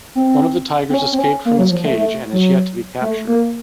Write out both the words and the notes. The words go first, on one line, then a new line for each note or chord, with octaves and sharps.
One of the tigers escaped from its cage and is yet to be captured.
C4
C4
C#4
C4
C#4
A#3
F#3
F3
A3
A3
F#3
A3
A#3